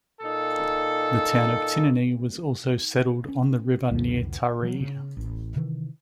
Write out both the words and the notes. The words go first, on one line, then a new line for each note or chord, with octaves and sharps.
The town of Tinonee was also settled on the river near Taree.
A#2 D#4 A4
C#4
C2 F2 D3 F3
E3 F#3
C#3
A1
C3 D#3 E3